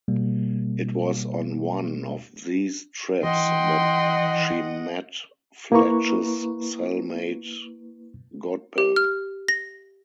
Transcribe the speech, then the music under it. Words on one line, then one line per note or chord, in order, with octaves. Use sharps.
It was on one of these trips that she met Fletch's cell-mate Godber.
B2 G3 A#3
E3 D#5 F#5 G5 C6
A#3 E4 B4 A#5 C#6
G4
F6
A#6